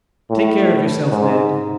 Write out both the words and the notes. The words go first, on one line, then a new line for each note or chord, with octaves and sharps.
"Take care of yourself, Ned."
A2
G#2